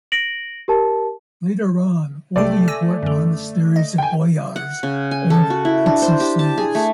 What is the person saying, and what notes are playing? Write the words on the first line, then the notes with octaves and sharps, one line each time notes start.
Later on, all the important monasteries and "boyars" owned Gipsy slaves.
A#6 D7 F#7
G4 A#4 A5
B1 C3 A3 D5 G5
G#5 E6 A#6
F#2 D3
D#5
G5 G#5
F#5
C#3
G#5
A4
F#4
E4
D4
C5
G4
A5
G#4
A3